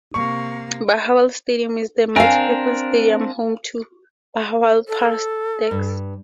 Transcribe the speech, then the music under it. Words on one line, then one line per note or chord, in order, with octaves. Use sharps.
Bahawal Stadium is the multipurpose stadium, home to Bahawalpur Stags.
C3 A#3 C#6
C4 D4 A#4 F5 G#5
A4
G2